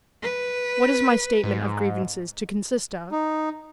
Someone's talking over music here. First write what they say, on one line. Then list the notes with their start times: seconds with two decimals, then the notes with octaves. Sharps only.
"What is my statement of grievances to consist of?"
0.22 B4
1.44 G#2
3.12 D#4